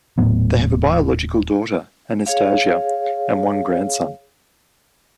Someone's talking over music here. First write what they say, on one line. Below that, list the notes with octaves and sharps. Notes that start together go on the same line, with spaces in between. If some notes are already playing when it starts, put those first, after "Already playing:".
They have a biological daughter Anastasia, and one grandson.
D#1 A2 F#3 B3
G#4 C#5 F5